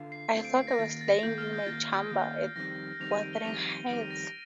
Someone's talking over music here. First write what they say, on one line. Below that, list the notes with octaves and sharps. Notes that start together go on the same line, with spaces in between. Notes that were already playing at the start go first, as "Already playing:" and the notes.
I thought I was lying in my chamber at Wuthering Heights.
Already playing: D3 F4
C7
D3 A3 C4 F4 C7
D7
C7
A#6
D#3 A#3 F4 A6
A6
D#3 A#3 F4 G6
F6
G6
D#3 A#3 F4 A6
D#3 A#3 F4
F2 D#3 G3 C4 A#6
F2 D#3 G3 C4 F7
D#7
D7
G7
F2 D#3 G3 C4 F7
D#7
F2 D#3 G3 C4 D7
A#6